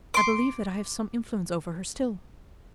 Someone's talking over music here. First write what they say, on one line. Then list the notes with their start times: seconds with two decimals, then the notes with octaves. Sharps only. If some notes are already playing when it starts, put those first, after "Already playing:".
I believe that I have some influence over her still.
0.14 C6 D6